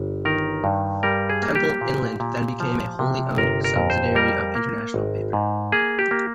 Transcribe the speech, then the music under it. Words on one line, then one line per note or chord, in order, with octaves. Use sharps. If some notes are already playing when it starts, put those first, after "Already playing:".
Temple-Inland then became a wholly owned subsidiary of International Paper.
Already playing: G1
D#3 A#4
G2
G3 A#4
G#4
A#3
G4
A#2
A#2
F3
C3
G1 A#4
A#4
F2
C5
G3 A#4
A#3
G#1
G#2
A#3 G#4
G4
A#3